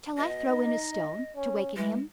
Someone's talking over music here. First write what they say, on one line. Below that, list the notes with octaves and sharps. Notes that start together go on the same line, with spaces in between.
"Shall I throw in a stone, to waken him?"
B2 D#5
D#4
C#4
E3 G#3